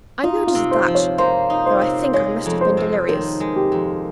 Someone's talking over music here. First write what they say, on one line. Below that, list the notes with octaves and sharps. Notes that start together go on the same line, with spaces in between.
I noticed that, though I think I must have been delirious.
D#4 F4
F4
C3
C5
F3
C#5
A#3 C5
D#4
C5
C3
G#3 C#5
F2
C5
C3
D#3 A#4
G#3
G4
F2